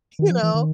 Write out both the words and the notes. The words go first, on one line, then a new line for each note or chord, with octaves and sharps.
You know?
D#3
F3
E3
D#3